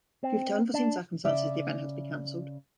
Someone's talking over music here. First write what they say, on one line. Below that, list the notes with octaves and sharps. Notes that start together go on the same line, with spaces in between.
Due to unforeseen circumstances the event had to be cancelled.
C4
D4
C#3 D5 E5